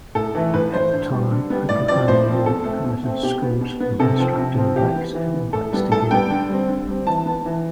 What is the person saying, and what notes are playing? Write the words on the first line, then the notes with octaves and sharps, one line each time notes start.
At the time, Oklahoma law prohibited schools from instructing blacks and whites together.
A2 A4
E3 A3
A2 B4
E3 A3 C5
D3
G3 B3
D3
G3 B3
A2 D5
F3 C4 D5
A2 C5
F3 C4
B2 A4
A3 C4
B2
A3 C4
B2 G4
B3
B2
B3
C3 A4
F3 C4
C3
F3 C4
E3 G4
B3
E3
B3
A2 A4
G3 B3
A2 A4
G3 B3 G5
D3
G3 C4
D3
G3 C4
E3 A5
B3
E3